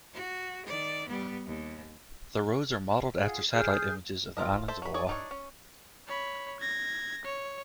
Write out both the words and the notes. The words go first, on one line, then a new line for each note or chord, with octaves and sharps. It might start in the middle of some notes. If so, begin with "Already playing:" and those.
The roads are modeled after satellite images of the island of Oahu.
F#4
D#3 D5
G3 B3
D#2
F4 G#4 F#5
G#4 D#6 F6 G6
F4 A#4 D#5
A4 C5 E5
F#3 B5
G#4 C#5 D5
D4 D#4 C#5
C#4
C#5 B5
G#6 A#6
C#5